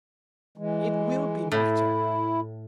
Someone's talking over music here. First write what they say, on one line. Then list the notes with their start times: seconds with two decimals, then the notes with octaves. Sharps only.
'It will be matter.
0.58 E3 G#3
1.52 A2 E4